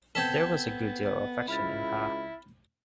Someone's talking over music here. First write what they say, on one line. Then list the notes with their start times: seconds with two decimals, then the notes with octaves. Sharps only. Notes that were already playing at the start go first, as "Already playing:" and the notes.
There was a good deal of affection in her.
0.15 B3 C4 A4 G6 G#6 B6
1.48 C#2 E4 B5 F6 A6